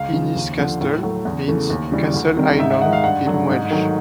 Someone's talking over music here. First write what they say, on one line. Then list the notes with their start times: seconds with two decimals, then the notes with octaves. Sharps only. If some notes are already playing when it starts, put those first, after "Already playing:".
Ynys Castell means Castle Island in Welsh.
Already playing: C#2 F5
0.13 C#3 F3
0.36 D#2
0.58 D3 F3
0.81 A2
1.03 F#3 A3
1.25 E2
1.48 C#3 E3 A3
1.70 D#2
1.92 C#3 E3 G3
2.14 D2
2.36 C3 D#3 G3
2.59 G#2 E5
2.71 E5
2.82 D#3 G#3 F#5
2.93 F5
3.04 G2 F#5
3.26 D3 F#3 A3
3.49 G#2
3.71 D#3 F#3 A3